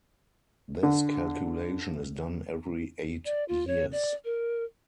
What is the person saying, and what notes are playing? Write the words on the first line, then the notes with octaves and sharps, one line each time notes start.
This calculation is done every eight years.
D3
D5
F4
C#5
D5
A#4